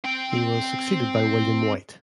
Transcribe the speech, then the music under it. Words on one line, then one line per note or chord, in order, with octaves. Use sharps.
He was succeeded by William Whyte.
C4 G5